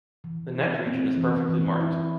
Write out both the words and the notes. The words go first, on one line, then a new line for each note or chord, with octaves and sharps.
The neck region is perfectly marked.
E3
E4
C4
E3
E3
E4